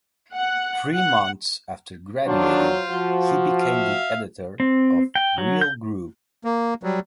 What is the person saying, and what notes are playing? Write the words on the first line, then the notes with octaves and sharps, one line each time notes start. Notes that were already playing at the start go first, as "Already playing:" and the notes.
Three months after graduating he became the editor of "Real Groove".
F#5
F#5
D#3 F#3 D4 F4 C5
F3 F#4
E5 F5
C4
G5
F#3
G6
A#3
F#3 G3